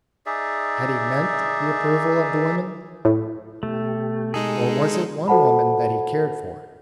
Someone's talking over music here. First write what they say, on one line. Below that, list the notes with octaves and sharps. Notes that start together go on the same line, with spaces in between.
Had he meant the approval of the women, or was it one woman that he cared for?
D#4 G#4 D5 E5
A2
B2 A3 G4
G#3 D#4 G#4 A4
F#4 A4 C5 F#5 A5 B5